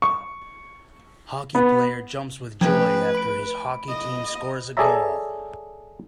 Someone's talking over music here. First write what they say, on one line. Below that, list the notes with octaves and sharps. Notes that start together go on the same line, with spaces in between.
Hockey player jumps with joy after his hockey team scores a goal.
C#6
B3
F3 A3 C#4 B4 G5 G#6
B5 D7
D#5
G#4 A4 C#5 D5 E5 A#5